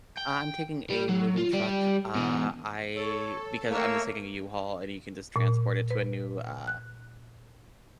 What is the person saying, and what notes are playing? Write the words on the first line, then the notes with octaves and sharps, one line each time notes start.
I'm taking a moving truck. Uh, I because I'm just taking a U-Haul, and you can just transport it to a new, uh
G5
G3
F#3
F4
G3 D5
B2 E3
A4 C#5
A3 A#3 C#5 E6
A#2
B4
F#6